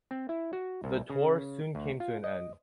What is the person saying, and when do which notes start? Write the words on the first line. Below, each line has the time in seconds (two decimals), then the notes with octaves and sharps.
The tour soon came to an end.
0.11 C4
0.29 E4
0.53 F#4
0.84 C2
1.10 C#3
1.75 D2
2.00 F4
2.24 D#5